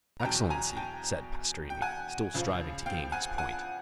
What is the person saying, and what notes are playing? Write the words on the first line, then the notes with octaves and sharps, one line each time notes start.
"But, excellency"--said Pastrini, still striving to gain his point.
A#5
E2 B2 F#3 G5 A5
G#5 A#5
G5 A5
G5
F#5 G#5
C#2 C#3 F3
F5 G5
F#5 G#5
F#5 G#5